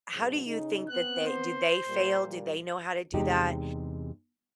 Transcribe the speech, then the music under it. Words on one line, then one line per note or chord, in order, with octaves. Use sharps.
how do you think that they do they fail? Do they know how to do that?
G#2 B2 F#3
C#3 D#4
B3 C4 F#6
C5
A#2 G3
E2 C3 G#3 D#4 G4 D#5